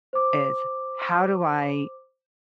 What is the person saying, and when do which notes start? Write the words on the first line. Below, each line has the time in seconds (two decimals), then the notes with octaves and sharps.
is how do I
0.13 C5 D6